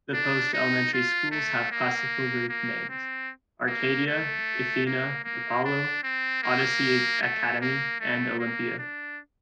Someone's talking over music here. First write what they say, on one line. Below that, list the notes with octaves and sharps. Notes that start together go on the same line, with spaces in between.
The post-elementary schools have Classical Greek names: Arcadia, Athena, Apollo, Odyssey Academy, and Olympia.
D4
D#4
F4
A3
A#3
A#3
C4
A#3
A3
A#3
A#3
D4
C4
A#3
A3
A#3
A3
A#3
D4